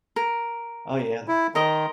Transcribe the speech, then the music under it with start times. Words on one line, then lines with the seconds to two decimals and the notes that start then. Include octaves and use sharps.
Oh, yeah.
0.16 A#4
1.28 E4
1.55 D#3 A#4 C5 D#5